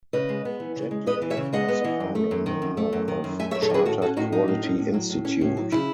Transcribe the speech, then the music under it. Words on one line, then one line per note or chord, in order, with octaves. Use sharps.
Jetley was the founder member of Chartered Quality Institute.
C#3 B4 D#5
G#3
B3
E3
C#3
G#3
B3 B4 D#5
E3
C#5 E5
C#3
G#3 D#5 F#5
B3
E3
F#2
A3
F#2
D#3
F#2
A3
F#2
D#3
F#2
A3 E5 G#5
C#5 E5
F#2
A4 C#5
D#3 G#4 B4
A2 F#4 A4
C#4 F#4 A4
A2 D#4 F#4
F#3 D#4
A2
C#4
A2
F#3
A2
C#4
A2
F#3
C#3 E4